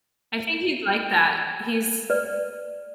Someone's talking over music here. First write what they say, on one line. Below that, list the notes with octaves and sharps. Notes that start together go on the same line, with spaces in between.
I think he'd like that. He's
B4 D5